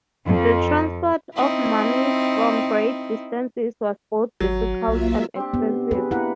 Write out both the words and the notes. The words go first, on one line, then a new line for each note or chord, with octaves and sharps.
The transport of mummies from great distances was both difficult and expensive.
F2
C4 D#4 E4
G#1 F#3
B1 A#3 F4 E5
C4 D4 G4
B3
E3 G#4 B4
A#3 E4 A#4 B4 F#5